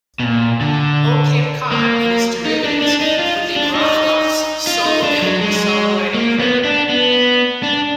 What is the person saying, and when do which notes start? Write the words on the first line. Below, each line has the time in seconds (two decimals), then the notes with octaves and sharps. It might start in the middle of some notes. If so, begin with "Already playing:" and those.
"Old Cape Cod" and its derivatives would be Rothrock's sole evident songwriting credit.
0.20 B2
0.24 A#2
0.61 D3
1.72 A#3
2.45 D#4
2.64 D4
2.82 D4
3.01 D#4
3.19 F4
3.56 D4
3.75 D#4
4.67 F4
4.86 D#4
5.03 D4
5.22 F#3
5.41 G#3
6.15 A#3
6.40 B3
6.64 D4
6.89 B3
7.63 D4